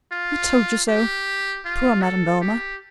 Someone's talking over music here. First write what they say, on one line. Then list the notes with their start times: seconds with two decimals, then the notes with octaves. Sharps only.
I told you so. Poor Madame Velma!
0.12 F4
0.89 G4
1.65 F4
2.02 A4
2.41 G4